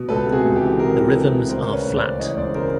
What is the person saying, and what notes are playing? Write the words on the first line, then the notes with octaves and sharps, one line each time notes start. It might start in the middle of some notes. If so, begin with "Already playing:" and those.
The rhythms are flat.
Already playing: B2
C#2 A4 B4
C3
F#4 G#4
C#2
G4 A4
E3
C3 G#4 A#4
E3
C3 A4 B4
C#2
D2 A#4 C5
C5
C#3
B4 C#5
D2
C5 D5
C#3
E3 C#5 D#5
E1 C5 D5
C#3 A#4 C5